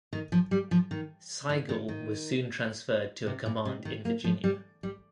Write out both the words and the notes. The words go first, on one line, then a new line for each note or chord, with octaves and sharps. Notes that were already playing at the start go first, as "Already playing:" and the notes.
Sigel was soon transferred to a command in Virginia.
D#3
F3
G3
F3
D#3
D#3
D#3
D#3
C3
A#2
C3
D#3
A#3
F3
G3
G3